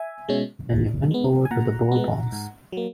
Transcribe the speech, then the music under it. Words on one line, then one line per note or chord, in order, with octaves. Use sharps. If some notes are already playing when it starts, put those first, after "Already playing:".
Then he went over to the Bourbons.
Already playing: E5 G#5
B2 G#3 C#4
A#2
G#3 B3
G#5
A#2 F#5 A#5
G#3 B3
G#2
F#3 A#3